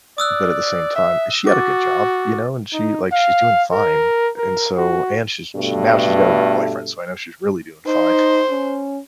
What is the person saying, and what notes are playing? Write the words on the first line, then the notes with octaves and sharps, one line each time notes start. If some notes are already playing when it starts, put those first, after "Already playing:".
But, at the same time, she had a good job, you know, and she like, she's doing fine. And so and she's she's now she's got a new boyfriend, so I know she's really doing fine.
D5 D#6 E6 F#6
E5
F#4 D6 A6
D#4
F5
A#4
A#4
F#4
G2 B2 A3
D#4 C5
C#4